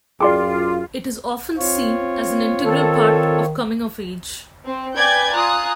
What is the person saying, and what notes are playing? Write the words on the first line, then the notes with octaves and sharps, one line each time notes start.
It is often seen as an integral part of coming of age.
F#2 F4 G#4 D5 G5 C6 D6
C4 F4 C#5
D#3 A4
C4
B4 D5 G5 G#5 G6 G#6
F4 G#5 A#5 D#6 F#6